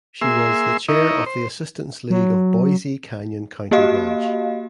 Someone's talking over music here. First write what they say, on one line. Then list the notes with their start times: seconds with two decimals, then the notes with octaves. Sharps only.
She was the chair of the Assistance League of Boise Canyon County Branch.
0.21 A#3 G#4 E5 C6 E6
0.88 D#4 E4 A#4 D#5 C#6
1.26 C5
2.10 F#3
3.71 A#3 F#4 G4 D#5 F5